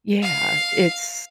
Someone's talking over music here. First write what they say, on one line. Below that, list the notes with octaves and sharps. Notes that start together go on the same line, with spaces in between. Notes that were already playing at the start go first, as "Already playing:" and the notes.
Yeah, it's
F5